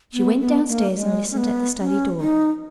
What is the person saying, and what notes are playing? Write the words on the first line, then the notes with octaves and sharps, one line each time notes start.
She went down-stairs, and listened at the study door.
B3
B3
A#3
G#3
C#4
B3
C#4
D#4